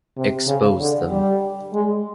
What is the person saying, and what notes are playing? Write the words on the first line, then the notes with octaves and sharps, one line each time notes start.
Expose them.
C3
C#3
D3
G3
G#3